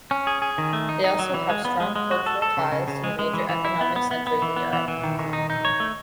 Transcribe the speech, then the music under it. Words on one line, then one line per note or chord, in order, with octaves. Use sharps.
They also have strong cultural ties to the major economic centers in Europe.
C#4
G#4
G#4
D#3
A3
D#4
D#4
F#3
E3
G#3
B3
G#3
G#3
F#4
A4
A4
C#3
C#3
C#3
G#3
G#3
E3
E3
E4
B3
B3
B3
B3
E3
B3
E3
E3
D#3
D#3
D#4
D#4
C#5
A3